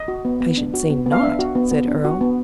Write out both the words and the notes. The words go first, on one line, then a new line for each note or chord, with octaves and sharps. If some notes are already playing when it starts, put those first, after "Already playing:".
"I should say not," said Earle.
Already playing: D#5
F#4
B3
B3
D4
F#4
B3
B3
F5
D4 E5
F#4
B3
B3
D4
F#4
B3